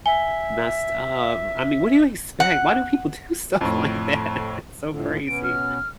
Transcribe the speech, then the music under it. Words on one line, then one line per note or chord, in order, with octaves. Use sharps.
messed up. I mean, what do you expect? Why do people do stuff like that? It's so crazy.
E5 G#5 G7
F#5
F2 A2
F2 A2 D3
B2 B3 C#4 D7
F6